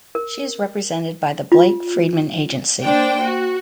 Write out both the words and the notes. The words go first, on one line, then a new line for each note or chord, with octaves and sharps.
She is represented by the Blake Friedmann agency.
A#4
F4
A#3 D4 C5 G5
F#4